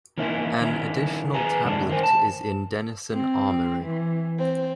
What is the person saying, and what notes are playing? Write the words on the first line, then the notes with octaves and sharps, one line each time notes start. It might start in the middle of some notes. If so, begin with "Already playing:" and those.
An additional tablet is in Denison Armoury.
E3 A#3 C#4 D#4 E4
D#3 C#4 E4
G#4 B4 G#5 A#5
G2 C#3 E3 G#3 A3 D4
D#3 A#4 C5 G#5
A5
C4
E3
C4